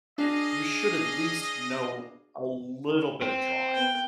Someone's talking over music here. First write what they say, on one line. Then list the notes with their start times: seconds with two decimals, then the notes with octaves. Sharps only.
you should at least know a little bit of drawing,"
0.18 D4 G#4 D#5 F5
3.22 C4
3.74 B3 G5